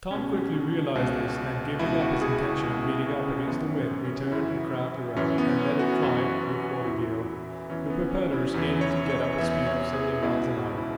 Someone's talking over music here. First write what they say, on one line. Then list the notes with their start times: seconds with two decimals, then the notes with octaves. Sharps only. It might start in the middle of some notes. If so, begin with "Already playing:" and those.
Tom quickly realized this, and, giving up his intention of beating up against the wind, he turned the craft around, and let it fly before the gale, the propellers aiding to get up a speed of seventy miles an hour.
0.10 C#2 B2 C#4
0.95 C#2 B2
1.79 C#2 B2 E4
2.01 F#4
2.21 G#4
2.43 E4
2.63 C#2 B2 F#4
2.84 E4
3.06 C#4
3.27 C#4
3.47 F#2 E3 B3
3.76 C#4
4.05 C#4
4.32 F#2 E3 E4
5.16 F#2 E3 C#4
5.38 B3
5.59 C#4
5.79 F#4
6.01 F#2 E3
6.85 E2 E3 E4
7.69 E2 E3 C#4
7.90 B3
8.11 C#4
8.32 E4
8.53 E2 E3 C#4
8.81 C#5
9.10 C#5
9.38 E2 E3 E5
9.67 C#5
9.94 G#4
10.23 C#2 B2 E4
10.51 C#4
10.78 E4